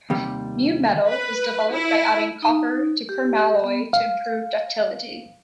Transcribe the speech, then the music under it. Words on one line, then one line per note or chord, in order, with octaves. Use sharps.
Mu-metal was developed by adding copper to permalloy to improve ductility.
D#2 C3 G3
B4
E4
D#4
G4
B3
F5